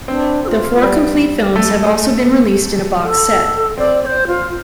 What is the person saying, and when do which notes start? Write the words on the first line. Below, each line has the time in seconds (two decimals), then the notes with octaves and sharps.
The four complete films have also been released in a box set.
0.07 C4 D4
0.44 A4
0.48 F4
0.82 G3
1.56 A3
3.04 A4
3.78 C4 D5
4.02 D5
4.06 C5
4.27 F4